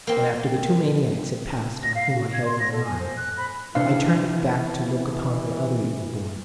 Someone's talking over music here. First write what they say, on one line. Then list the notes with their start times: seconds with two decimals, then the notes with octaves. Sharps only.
And after the two maniacs had passed On whom I held mine eye, I turned it back To look upon the other evil-born.
0.07 A#3 C4
1.83 A#6
1.95 F5
2.16 F#4
2.33 G#6
2.45 C6
2.60 A#6
2.72 A4
2.85 G#5
3.00 C5
3.17 F#6
3.37 B5
3.75 C3 E3 D4 F5